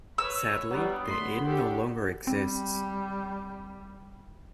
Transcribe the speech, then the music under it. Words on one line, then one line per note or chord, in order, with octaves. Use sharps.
Sadly, the Inn no longer exists.
B4 C#5 E6
F#3 G3 B3 D4
A3 B5 C6
D4 G4 A4
G3 C4